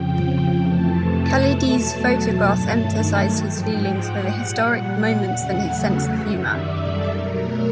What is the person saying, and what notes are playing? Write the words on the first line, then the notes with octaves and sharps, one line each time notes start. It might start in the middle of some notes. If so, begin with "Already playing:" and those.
Khaldei's photographs emphasised his feelings for the historic moments and his sense of humour.
Already playing: F2 C#3 F3 G5
F2 C3 E3 A3 A5
E2 B2 F#3 A3 A5
A5
G2 D#3 F#3 A3 A5
G#2 F3 G#3 G5
F#5
A#2 G3
E2 C#3 F#3 A3
F#2 D#3 G3 E5
D5
A4
B2 F#3 A3 A#4